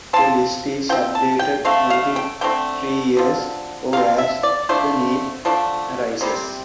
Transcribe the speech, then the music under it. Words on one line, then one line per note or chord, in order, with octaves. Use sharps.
The list is updated every three years, or as the need arises.
F3 C4 A5
F3 C4 G5
A5
G5
D3 A3 C4 F5
F5
G5
D3 A3 C4 G5
D3 F3 C4
D3 F3 C4 F5
E5
D5
D3 F3 A3 D4 C5
D3 F3 A3 D4
C3 G3 C4